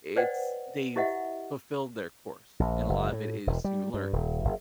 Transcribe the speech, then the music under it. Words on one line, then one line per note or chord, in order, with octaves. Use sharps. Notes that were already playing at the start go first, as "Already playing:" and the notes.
I it's they've fulfilled their course, and a lot of it is to learn.
B4 C5 D5 D#5 F#5 G5
E4 G4 D#5 E5 F#5
A#1
F#1
A2
E1
G3
G2
D#1
F#1